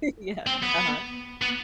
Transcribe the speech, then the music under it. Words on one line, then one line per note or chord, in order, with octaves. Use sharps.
yeah, uh-huh.
C4
B3
B3